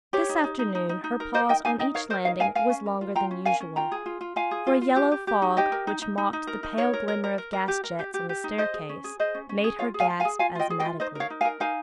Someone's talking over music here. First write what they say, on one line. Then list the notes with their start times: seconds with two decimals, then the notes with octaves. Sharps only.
This afternoon her pause on each landing was longer than usual, for a yellow fog, which mocked the pale glimmer of gas-jets on the staircase, made her gasp asthmatically.
0.13 G4 C#5
0.29 D#4
0.44 D#4
0.59 D#4
0.75 D#4
0.89 D#4
1.04 D#4
1.20 A#4
1.34 A#4 C5 D#5
1.49 D#4 D#5 G5
1.65 D#4 F5 G#5
1.79 D#4 D#5 G5
1.94 A#4 C#5 F5
2.10 A#4 C5 D#5
2.25 D#4 C#5 F5
2.40 A#4 F5 G#5
2.55 A#4 F5 G#5
2.70 C#4
2.86 A#4
3.01 F4
3.15 F4 G5 A#5
3.31 C#4
3.45 A#4 F5 G#5
3.60 C#4
3.76 F4 G5 A#5
3.92 G#4
4.06 F4
4.21 F4
4.36 F4 F5 G#5
4.51 G#4
4.67 F4
4.81 F4
4.96 G4
5.11 G4
5.27 G4
5.42 D#4
5.57 G4 D#5 G5
5.72 A#4
5.87 D#4
6.02 D#4
6.18 D#4
6.33 D#4
6.47 A#4
6.63 D#4
6.77 A#4 C#5
6.93 A#4
7.08 A#4
7.24 A#4
7.38 A#4
7.53 A#4
7.68 G4
7.84 A#4
7.99 G4
8.14 G4
8.29 G4
8.44 D#4
8.58 G#4 C5 D#5
8.74 G#4
8.89 C#4
9.04 G#4
9.19 G#4 C5 D#5
9.35 C#4
9.49 C#4
9.64 G#4
9.79 F4 C#5 F5
9.94 G#4
10.00 F5 G#5
10.10 F4
10.20 F5 G#5
10.25 G#4
10.39 F4 F5 G#5
10.55 F4 D#5 G5
10.70 G#4
10.80 D#5 G5
10.85 F4
11.00 D#4 C5 D#5
11.15 A#4 C#5 F5
11.30 D#4
11.41 F5 G#5
11.45 A#4
11.60 D#4 F5 G#5